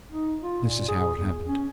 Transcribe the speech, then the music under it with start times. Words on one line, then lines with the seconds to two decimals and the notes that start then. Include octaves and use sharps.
This is how it happened.
0.11 D#4
0.42 F4
0.64 A#2
0.88 G#4
1.16 E2
1.46 C#4